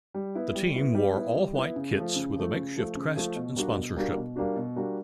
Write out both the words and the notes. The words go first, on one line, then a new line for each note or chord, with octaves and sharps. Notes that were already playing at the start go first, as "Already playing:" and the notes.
The team wore all-white kits with a makeshift crest and sponsorship.
G3
B3 E4
G3
B3 E4
G3
B3 E4
G3
B3 E4
C#3
F3 A3
C#3
F3 A3
C#3
F3 A3
C#3
F3 A3
B2
G3 A#3 D4 F#4
B2
G3 A#3 D4 F#4
B2
G3 A#3 D4 F#4
B2
G3 A#3 D4 F#4